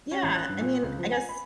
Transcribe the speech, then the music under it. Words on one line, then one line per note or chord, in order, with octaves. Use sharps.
yeah, I mean, I guess
C#4
A1
F#6
G2
A#2
C#2
F3
G#5
B5